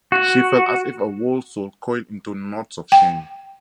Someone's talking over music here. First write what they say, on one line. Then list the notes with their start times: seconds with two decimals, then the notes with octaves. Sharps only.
She felt as if her whole soul coiled into knots of shame.
0.12 F#4
2.92 G5